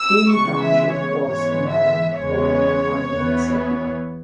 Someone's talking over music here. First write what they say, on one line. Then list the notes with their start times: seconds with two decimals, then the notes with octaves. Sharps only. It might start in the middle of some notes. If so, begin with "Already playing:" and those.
Keene Township was named for a pioneer settler.
Already playing: E6
0.30 C#3 E3 G#3 B3 C#6
0.62 E5
0.93 C#5
1.23 G#2 E3 G#3 B3 C#5
1.71 E5
2.18 E2 C#3 G#3 B3 C#5
3.11 E2 E3 B3